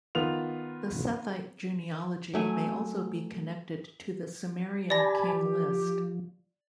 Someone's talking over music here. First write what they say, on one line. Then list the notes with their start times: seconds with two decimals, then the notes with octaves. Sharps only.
The Sethite genealogy may also be connected to the Sumerian King List.
0.15 D#3 B3 F4 F7
2.34 F#3 A3 G#5
4.90 G4 D5 G#5 A5 B5 A#6
5.33 F3